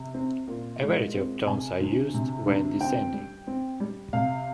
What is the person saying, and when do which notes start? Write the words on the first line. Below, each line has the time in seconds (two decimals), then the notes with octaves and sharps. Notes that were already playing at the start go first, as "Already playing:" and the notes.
A variety of turns are used, when descending.
Already playing: C3
0.14 C4
0.47 A#2
0.81 G#3
1.14 C4
1.47 C3 G#5
1.80 D2
2.14 C3
2.46 D2
2.80 C4 G5
3.13 G3
3.47 C4
3.80 G3
4.13 C3 F5